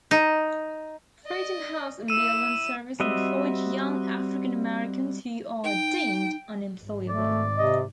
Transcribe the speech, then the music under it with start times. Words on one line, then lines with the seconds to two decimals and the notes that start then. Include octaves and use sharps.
Freedom House Ambulance service employed young African-Americans who were deemed 'unemployable.
0.11 D#4
1.24 D5 D#5
2.08 E4 E6 D#7 E7
3.00 G3 C4 F#4 D#5 E5
5.64 D#4 G5
6.79 G#1
7.09 A3 D5
7.57 C3 D#5